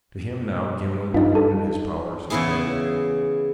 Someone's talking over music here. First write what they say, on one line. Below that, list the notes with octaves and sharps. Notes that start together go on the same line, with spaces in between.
To him, now, Gimblet devoted his powers of shadowing.
G2 D#4 F4
A4
C#3 E3 B3 E4 G#4